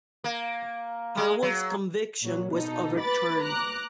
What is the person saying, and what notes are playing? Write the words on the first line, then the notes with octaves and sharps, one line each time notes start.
Powell's conviction was overturned.
A#3
G#3
F#3
A#2 F#3
B2 D#4 A4
B4 B5 D6 A6
A#5 D6 F#6